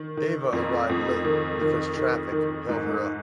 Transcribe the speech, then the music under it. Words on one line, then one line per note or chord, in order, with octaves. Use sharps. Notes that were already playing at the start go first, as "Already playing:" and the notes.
"Ava arrived late because traffic held her up".
Already playing: D#3
D#3
F2
F2
D#3
D#3
D#3
D#3
G#2